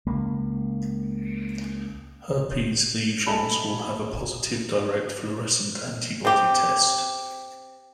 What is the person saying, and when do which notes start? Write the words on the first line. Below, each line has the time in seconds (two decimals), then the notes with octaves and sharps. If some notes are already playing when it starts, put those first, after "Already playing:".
Herpes lesions will have a positive direct fluorescent antibody test.
0.06 C#2 A#3
3.27 A4 D#5 E5 G#5 A5 B5
6.25 C4 G4